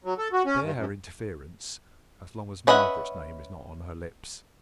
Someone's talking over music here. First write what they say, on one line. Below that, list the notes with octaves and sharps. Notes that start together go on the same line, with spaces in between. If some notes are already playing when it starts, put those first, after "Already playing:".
I can bear her interference, as long as Margaret's name is not on her lips.
F#3
A4
F#4
C#4
G2
F#2
C#4 B4 D#5 E5 F#5